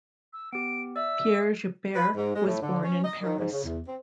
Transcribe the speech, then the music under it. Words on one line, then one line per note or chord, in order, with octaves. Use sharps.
Pierre Joubert was born in Paris.
E6
B3 G4 D7
D5 E5 E6
B4
G#2
G#3
A2
D3
C#4
D#5
D#3
G#2
C#3
E2
C4